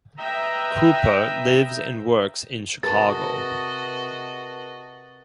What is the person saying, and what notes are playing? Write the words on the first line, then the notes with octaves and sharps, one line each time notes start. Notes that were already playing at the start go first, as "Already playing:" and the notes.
Cooper lives and works in Chicago.
B4 D#5 E5 G5 A#5
C3 F#4 G#4 A#4 B4 D#5 A5 A6